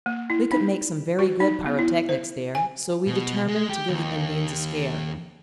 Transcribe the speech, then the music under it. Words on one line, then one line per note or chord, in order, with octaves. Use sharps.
We could make some very good pyrotechnics there, so we determined to give the Indians a scare.
A#3
E4
D#4
F#4
D#4
B3
E4
C5
G#5
B2
G#3
G4
D#2